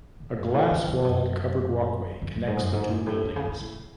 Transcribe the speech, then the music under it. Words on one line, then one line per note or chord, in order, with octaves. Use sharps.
A glass walled covered walkway connects the two buildings.
A2
F#2
A2
C#3
F2
F#2
F2
F#2
G#2
F#2
G#2
F#2
A2
A2
C#3
C#3
A2